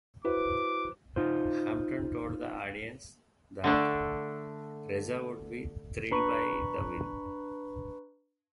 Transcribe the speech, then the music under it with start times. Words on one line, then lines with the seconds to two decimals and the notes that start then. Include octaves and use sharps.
Hampton told the audience that Reza would be thrilled by the win.
0.25 E4 F#4 B4 C5 D6
1.16 D#4 F4 C5
3.64 D3 A3 D4
6.11 D4 B4 A#5 B5 C#6